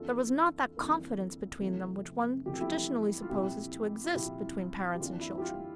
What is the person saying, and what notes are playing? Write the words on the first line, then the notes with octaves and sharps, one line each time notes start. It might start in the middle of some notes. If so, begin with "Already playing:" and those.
There was not that confidence between them which one traditionally supposes to exist between parents and children.
Already playing: F2 E3 A#3 D4 F4 A4
F2 E3 A#3 D4
F1 E2 C3 F3 A3
F1 E2 C3 F3 A3 G4
A4
E4 G4
F4
C2 A#2 F3 C4 E4 G4
F4
C2 A#2 F3 C4 E4 G4
G4
F2 E3 A#3 D4 F4
E4
G4
F4